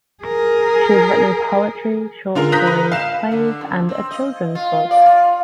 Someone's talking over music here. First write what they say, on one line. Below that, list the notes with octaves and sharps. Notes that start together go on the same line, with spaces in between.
She has written poetry, short stories, plays, and a children's book.
G#4 A#4
D3 F4 G#4 A#4
A#5 D#6 F#6 G6 A#6 B6
A#4 B4
F5 E7
D3
F#2
C4
D#5
F4
D5
F4